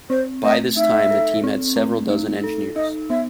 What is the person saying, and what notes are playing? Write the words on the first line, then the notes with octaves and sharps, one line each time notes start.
By this time, the team had several dozen engineers.
C4 C5
A3 D#5
D#4 E5
A4
C4
A3
D#4
A4
D#4 D#5
B3 E5